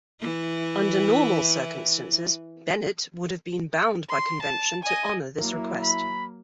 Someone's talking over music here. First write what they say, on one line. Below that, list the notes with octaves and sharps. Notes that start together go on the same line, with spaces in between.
Under normal circumstances, Bennett would have been bound by convention to honour this request.
E3 E4
C6
A5
D#5 G#5
F#3 A#3 E4
B5